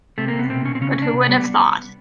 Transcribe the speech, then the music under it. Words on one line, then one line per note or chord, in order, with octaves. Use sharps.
But who would have thought?
C3 A3
A#3
C3
B3
B2 C4
B2 C#4
C4
C#3 C#4
C#4
C#3 D4
C3
G3 B3